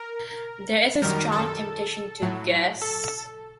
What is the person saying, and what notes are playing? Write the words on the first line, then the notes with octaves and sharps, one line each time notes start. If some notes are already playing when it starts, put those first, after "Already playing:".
There is a strong temptation to "guess".
Already playing: A#4
F#2 D#3 G3 A#4
A4
A2 F#3
A4